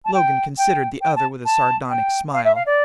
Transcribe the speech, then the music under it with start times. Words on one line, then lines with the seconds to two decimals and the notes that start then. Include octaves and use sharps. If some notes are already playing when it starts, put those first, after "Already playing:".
Logan considered the other with a sardonic smile.
0.05 A5
0.14 G5
0.58 G5
1.01 G5
1.16 A5
1.45 A5
1.89 G5
2.33 F5
2.44 E5
2.55 F5
2.66 D5